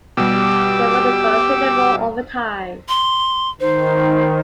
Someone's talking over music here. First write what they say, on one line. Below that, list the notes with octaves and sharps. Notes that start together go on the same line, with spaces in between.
They worked considerable overtime.
B2 G3 G4 D6 E6
C6
D#3 D#4 C5